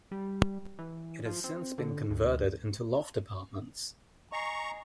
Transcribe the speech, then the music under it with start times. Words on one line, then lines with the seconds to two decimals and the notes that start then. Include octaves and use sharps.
It has since been converted into loft apartments.
0.11 G3
0.79 E3
1.25 F3
1.44 C4
1.78 D3
2.10 D2
4.32 D#5 G#5 A#5 C#6 C7